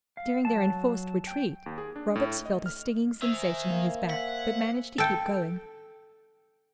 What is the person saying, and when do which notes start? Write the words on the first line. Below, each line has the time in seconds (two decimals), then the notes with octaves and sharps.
During their enforced retreat, Roberts felt a stinging sensation in his back, but managed to keep going.
0.17 F5
0.45 F#3 A5
1.27 G5
1.66 D#2
1.78 G#4
1.96 D4
2.16 A2
2.46 D#5
2.66 F6
3.22 D#3 C5 E5 G#5 E6
3.65 A#3
4.09 F#5 B6
4.98 A4 G5